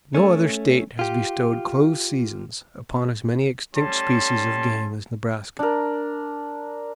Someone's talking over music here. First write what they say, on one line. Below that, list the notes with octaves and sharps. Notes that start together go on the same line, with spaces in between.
No other state has bestowed close seasons upon as many extinct species of game as Nebraska.
A3 C#4
F4 G4
G3 A3 C#4 A5 C6
D4 A#4